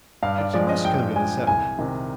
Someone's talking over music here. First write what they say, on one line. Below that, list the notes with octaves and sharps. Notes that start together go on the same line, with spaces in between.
But you must come to the Settlement.
G2 F5
D5
F3 G#3 D5
D#5
G2 G5
F3 G#3 G#5
C2 G#5
C3 D#3